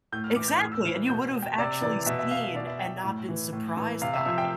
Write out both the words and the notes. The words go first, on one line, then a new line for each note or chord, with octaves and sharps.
Exactly! And you would've actually seen and not been surprised by it.
A2 G6
F6
E3 D6
G6
A2 F6
E6
E3 F6
B2 G6
G5
C3 D5
E3 D5
B2 E5
E5
F5
E5
B2 D5
E5
G5
A2
E3
A2
E3
C3 F5
E5
F3 E5
G5